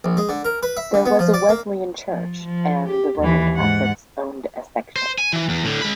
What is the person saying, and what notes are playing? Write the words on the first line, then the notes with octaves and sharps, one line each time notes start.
There was a Wesleyan church, and the Roman Catholics owned a section.
A#1
G#3
D3
A#4
B4
E5
D3
B3
F3
D5
A#3
F3
F3
G4
D#2 E3
G#2 F#5
C5
G#5
E3
E2
A2 D3
G#3 B5